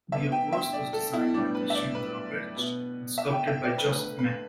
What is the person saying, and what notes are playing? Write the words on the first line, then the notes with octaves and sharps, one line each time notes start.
The obverse was designed by Christian Gobrecht and sculpted by Joseph Menna.
D3 B3 E5
G5
E5
D5
A4
E4
A2 G3 B3 D4
B4
E5
D5
B4
B2 B3
E5
G5
E5
D5
D3 A3 B4
B4
B4